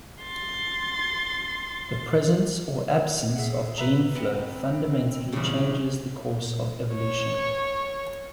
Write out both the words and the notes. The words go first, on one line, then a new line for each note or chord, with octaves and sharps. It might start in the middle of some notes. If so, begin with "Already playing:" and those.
The presence or absence of gene flow fundamentally changes the course of evolution.
C6 A6
G#4 E5 F#5
B4 E5 A#5
B3 C4
G#2 C#3 E3 G3
C#5